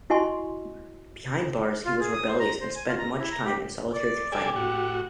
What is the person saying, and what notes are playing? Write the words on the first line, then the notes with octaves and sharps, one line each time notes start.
Behind bars, he was rebellious and spent much time in solitary confinement.
E4 F#4 D#5 G#5 C6 C#6
F4
G#4
D#6
C5
A#5
C5
G#5
F4
A#5
E4
A#5
G4
D5
G4 A4 D5 G#5
A2 F#4